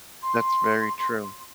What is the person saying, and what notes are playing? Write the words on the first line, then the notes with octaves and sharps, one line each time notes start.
That's very true.
C6